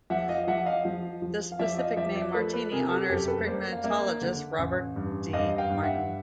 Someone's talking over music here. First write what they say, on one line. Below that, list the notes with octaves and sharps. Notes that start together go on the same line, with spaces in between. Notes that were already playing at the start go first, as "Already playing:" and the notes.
The specific name, "martini", honors primatologist Robert D. Martin.
F3 E5 F#5
D#5 F5
F3 E5 F#5
D#5 F5
F3
F3
F5
F3 D5 E5
D#5 F5
F3 D5 E5
D5 E5
A3 A4 B4
A4 B4
C3 G#4 A#4
G4 A4
F#2 G4 A4
A4 B4
A#3 C5 D5
F5
A#3 D5 E5
D3
A1
G2
G2 D#5 F5
F5 G5
G2
E5 F#5